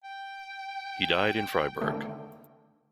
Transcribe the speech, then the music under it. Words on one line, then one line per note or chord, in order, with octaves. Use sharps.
He died in Freiburg.
G5
D3 A3